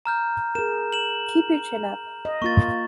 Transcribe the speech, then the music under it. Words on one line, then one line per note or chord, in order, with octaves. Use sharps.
Keep your chin up.
A#5 F6 G6
G#4 A#4 E7
E7 F#7
D#5
A#3 F4 C#6 A6